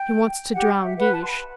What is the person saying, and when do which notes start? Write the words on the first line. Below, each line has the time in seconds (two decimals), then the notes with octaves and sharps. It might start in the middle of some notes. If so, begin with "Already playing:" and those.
"He wants to drown Guiche."
Already playing: G5
0.54 G4 F#5
0.84 E5
0.98 B4 F#5
1.13 A5
1.22 C6
1.28 B5